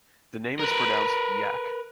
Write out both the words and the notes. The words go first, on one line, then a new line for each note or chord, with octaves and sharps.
The name is pronounced "Yack".
A#4 B4